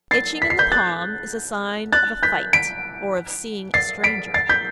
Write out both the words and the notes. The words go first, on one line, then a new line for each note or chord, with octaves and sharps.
Itching in the palm is a sign of a fight, or of seeing a stranger.
A6 C7
B6
C7
G6 B6
F#6 A6
F#6 A6
G6 B6
B6 D7
A6 C7
B6 D7
A6 C7
G6 B6